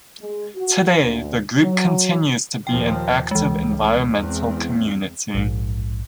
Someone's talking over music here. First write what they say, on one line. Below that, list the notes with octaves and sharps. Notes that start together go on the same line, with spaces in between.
Today the group continues to be an active environmental community.
G#3
F#4
D2
F#3
D#2 A#2 F3 G5
C#2 E3 G#3
E2 C4
A#1 G#2